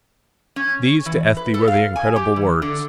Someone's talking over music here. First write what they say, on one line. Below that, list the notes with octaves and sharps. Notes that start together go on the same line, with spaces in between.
These to Ethne were the incredible words.
C#4
E3
B4
A4
F5
G#5
G4
E3
D3